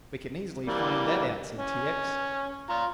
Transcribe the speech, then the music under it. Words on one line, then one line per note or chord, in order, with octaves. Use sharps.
"We can easily find that out," said T. X.
E3 G3 A#3
C#4
F4 A#5